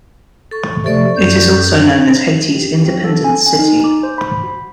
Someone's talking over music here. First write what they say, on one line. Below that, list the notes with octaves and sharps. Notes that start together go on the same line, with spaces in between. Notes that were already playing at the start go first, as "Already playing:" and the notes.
It is also known as Haiti's "independence city".
A4 C#6
C3 F3 A3 A4 D5 C#6
F#2 G6
G4
C4
A4
G#5
G#5
D#4
D6
C5
B5
F#4